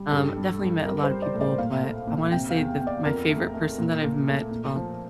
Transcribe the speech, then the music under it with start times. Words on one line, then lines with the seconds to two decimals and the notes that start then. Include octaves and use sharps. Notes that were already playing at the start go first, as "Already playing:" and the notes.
um, definitely met a lot of people. But I wanna say the my favorite person that I've met while
Already playing: G3
0.12 G2 A4
0.36 G3
0.61 G3
0.85 G3 A#4
1.03 C5
1.10 G3
1.22 D5
1.34 A2
1.41 D5
1.58 A#2 F5
1.83 A3
2.07 A#2
2.32 C3 G5
2.51 F5
2.56 E2
2.80 E2
2.87 D5
3.05 F2 A#4
3.29 A3
3.54 A3
3.78 A#2
4.03 A#2
4.27 A3
4.51 A#2
4.76 F3